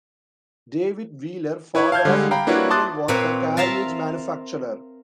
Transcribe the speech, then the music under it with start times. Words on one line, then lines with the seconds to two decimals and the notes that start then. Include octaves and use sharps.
David Wheeler, father of Nathaniel, was a carriage manufacturer.
1.75 E4 B4 C#5
1.92 F5 A5 F6 G6 G#6
2.05 D3 G3 G#3
2.31 F5 G5 A#5 B5
2.47 A#3 D4 E4 F#4 B4 C#5
2.70 A5 C6 D6 D#6 F#6 A6
3.08 A#2 A#3 C4 B4 C#5 B5
3.57 F4 A#4 E5 F5 A5 A#5